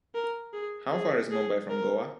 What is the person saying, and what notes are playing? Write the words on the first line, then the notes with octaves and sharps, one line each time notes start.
How far is Mumbai from Goa?
A#4
G#4
G#4
G#4
A#4